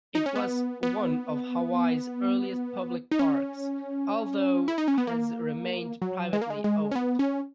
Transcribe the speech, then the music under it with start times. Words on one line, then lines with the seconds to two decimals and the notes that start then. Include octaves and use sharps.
It was one of Hawaii's earliest public parks although has remained privately owned.
0.15 D#4
0.26 C#4
0.36 B3
0.83 B3
3.11 D#4
3.19 C#4
4.68 E4
4.78 D#4
4.88 C#4
4.98 B3
5.07 A#3
6.02 F#3
6.33 G#3
6.42 A#3
6.50 G#3
6.64 G#3
6.91 C#4
6.96 B3
7.19 C#4